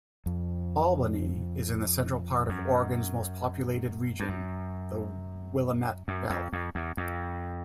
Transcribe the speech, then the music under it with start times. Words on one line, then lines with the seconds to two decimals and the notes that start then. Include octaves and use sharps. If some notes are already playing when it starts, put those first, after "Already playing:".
Albany is in the central part of Oregon's most populated region, the Willamette Valley.
0.26 F2
2.49 F#2
4.20 G2
4.29 F#2
6.08 F#2
6.30 F2
6.53 F2
6.75 E2
6.97 F2